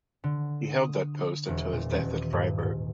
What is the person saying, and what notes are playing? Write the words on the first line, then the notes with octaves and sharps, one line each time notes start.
He held that post until his death at Freiburg.
D3
D#6
E1
A#2
D#1
D#7
G2
G#2